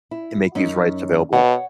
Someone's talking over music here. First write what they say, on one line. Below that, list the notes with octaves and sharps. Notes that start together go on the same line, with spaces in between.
and make these rights available."
E4
F#2 C#4 D#4
B2 C#5 F#5